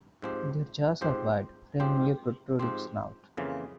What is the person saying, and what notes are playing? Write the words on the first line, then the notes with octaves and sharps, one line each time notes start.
Their jaws are wide, framing a protruding snout.
G#2 F3 C4 G4 C5
G#2 F3 C4 G4 C5
G#2 F3 C4 G4 C5
G#2 F3 C4 G4 C5
F2 C#3 E3 A#3 F4